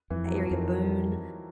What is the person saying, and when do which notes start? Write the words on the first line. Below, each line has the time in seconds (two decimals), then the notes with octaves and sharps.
area, Boone,
0.10 F2 E3
0.27 F#3
0.35 F3
0.43 E3
0.51 F2 D#3